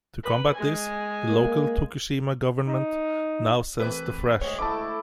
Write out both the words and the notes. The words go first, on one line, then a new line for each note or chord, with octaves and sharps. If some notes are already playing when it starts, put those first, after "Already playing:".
To combat this, the local Tokushima government now sends the Fresh!
B4
G#3 G#5
A#3
D#4
C2 E3 A3 B4
D2 G#3 C#5
A3 E4 A4 A5 D6